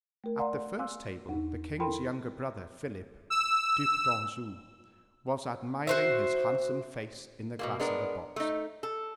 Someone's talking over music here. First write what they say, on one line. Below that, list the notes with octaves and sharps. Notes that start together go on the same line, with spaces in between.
At the first table, the king's younger brother, Philip, Duc d'Anjou, was admiring his handsome face in the glass of a box.
A3 A#4
D5 F5 F#5 G#5 A#5 C6
F5 G#5 C6 D6 E6 F#6
E2 D#4
E4 A4 A#4 G5 B5 C6
E6
F#4 C5 E5
B2 A3 A#3
G#3 B3 D4 A#4
A3 D#4
A4